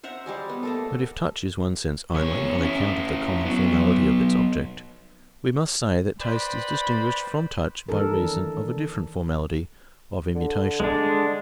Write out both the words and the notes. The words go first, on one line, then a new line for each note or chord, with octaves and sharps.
But if touch is one sense only, on account of the common formality of its object: we must say that taste is distinguished from touch by reason of a different formality of immutation.
C5 E5 F#5 A#5
G3 G#3 G#4
B3
A3 A#3 A4
E2 C#5
C#4 E4
F#3 B3
B4 C5 D5 G5 B5
D#3 E3 D4 A4 A#4
D3
G#3 D4